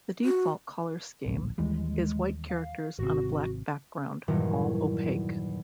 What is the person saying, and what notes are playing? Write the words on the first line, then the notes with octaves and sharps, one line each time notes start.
The default color scheme is white characters on a black background, all opaque.
F#4
D1 A#1
D#2 E3 G3 G#3
F5
G#1 C3 F#4
E2 G2 A#2 D#3 E3 F#3